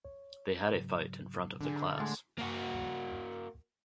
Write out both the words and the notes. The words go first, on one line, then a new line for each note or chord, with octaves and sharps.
They had a fight in front of the class.
C#5
G#2 C#3 F#3
D3 D4 G#4
A2 G#3 A3 C6 A6
A#3 F#4